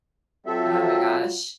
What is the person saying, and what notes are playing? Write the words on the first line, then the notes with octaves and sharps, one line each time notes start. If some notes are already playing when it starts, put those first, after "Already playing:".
Oh my gosh.
F#3 C4 F4 F#4 A4 E5